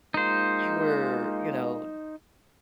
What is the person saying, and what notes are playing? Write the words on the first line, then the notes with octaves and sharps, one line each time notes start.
you were, you know,
G#3 A#3 D#4 F4 C5